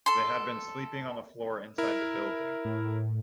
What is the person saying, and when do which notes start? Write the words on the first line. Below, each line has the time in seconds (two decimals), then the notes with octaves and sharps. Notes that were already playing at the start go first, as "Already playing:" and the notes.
They had been sleeping on the floor inside the building.
0.06 A4 C6
1.78 E4 A#4
2.65 A2